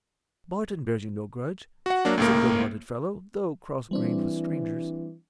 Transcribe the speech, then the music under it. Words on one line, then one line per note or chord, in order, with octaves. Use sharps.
Barton bears you no grudge. He's a good-hearted fellow, though cross-grained with strangers.
F#4 F#5
F#3 A#3 D4
C#2 A2 A#3
E3 G3 C4 D4